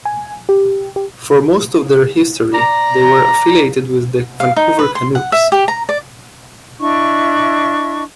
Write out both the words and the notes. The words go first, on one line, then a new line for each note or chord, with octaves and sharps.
For most of their history, they were affiliated with the Vancouver Canucks.
G#5
G4
G4
D5 A#5
F5
D#4
B4
C6
F#5
E5
G4
A#5
D5
D4 E4 D#5 C#6